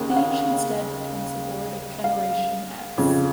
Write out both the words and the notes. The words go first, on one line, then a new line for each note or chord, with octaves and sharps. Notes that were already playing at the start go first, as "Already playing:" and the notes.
Leech instead becomes a ward of Generation X.
Already playing: D#2 C#3
F#5
F5
F5
F2 C#3